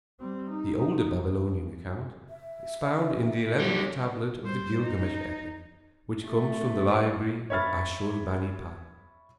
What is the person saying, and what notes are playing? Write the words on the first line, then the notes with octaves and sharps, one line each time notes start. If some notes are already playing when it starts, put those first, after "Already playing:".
The older Babylonian account is found in the eleventh tablet of the Gilgamesh epic, which comes from the library of Asshurbanipal.
G3 C4
D#4
E5
G3 C#4
G3 C5
D#4
A3
C#5 E5 B5 F6 A6